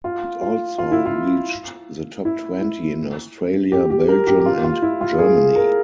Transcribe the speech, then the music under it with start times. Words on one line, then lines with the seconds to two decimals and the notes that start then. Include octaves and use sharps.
It also reached the top twenty in Australia, Belgium, and Germany.
0.04 F4
0.41 F4
0.78 F4
0.92 E4
1.06 F4
2.25 E4
2.61 E4
3.72 G4
3.90 G4
4.08 A#4
4.27 G4
4.40 G4
4.46 F4
4.64 F4
4.82 E4
5.01 F4
5.19 G#4
5.56 A#4